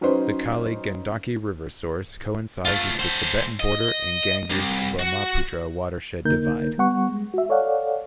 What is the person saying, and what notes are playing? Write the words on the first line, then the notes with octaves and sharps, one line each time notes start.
The Kali Gandaki river source coincides with the Tibetan border and Ganges-Brahmaputra watershed divide.
F#3 C#4 D#4 B4 C5
A3 F4
A3 C5
D#5
C2
F#4
C2 D3 A#3 D#4 A#4 G6
G3 B3 F#5 C#6
G#3
F#4 E5
A4 C#5 D5 F5 F#5